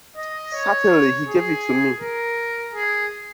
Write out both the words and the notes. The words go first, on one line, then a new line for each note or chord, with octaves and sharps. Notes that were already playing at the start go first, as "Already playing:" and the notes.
Certainly he gave it to me.
D#5
C#5
G#4
A#4
G#4